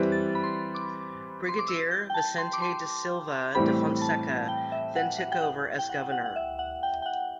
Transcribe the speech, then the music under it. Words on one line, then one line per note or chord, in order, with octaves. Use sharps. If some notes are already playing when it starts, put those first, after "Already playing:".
Brigadier Vicente da Silva da Fonseca then took over as governor.
Already playing: E3 G3 C4 E4 B4
A6
B5
C6
D6
C6
D6
E6
G6
G5
A5
C6
D6
C6
A2 E3 G3 C4 G4 B5
A5
G5
E5
F#5
F#5
G5
F#5
G5
F#5
F#5
F#5
E5
F#5
G5
G5
F#5